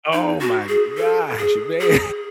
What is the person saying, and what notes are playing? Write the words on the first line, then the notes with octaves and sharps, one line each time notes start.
Oh my gosh, man,
D#4
F#4
G#4
A4
G#4
G#4